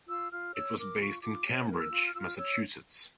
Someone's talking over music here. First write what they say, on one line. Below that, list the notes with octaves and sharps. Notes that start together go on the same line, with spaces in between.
It was based in Cambridge, Massachusetts.
F4 E6
F4 F6
C#5 E6
A#4 D6
F4 C#6
F4 D6
C#5
A#4
E6
F4
F6
F4 E6
F6
C#5 E6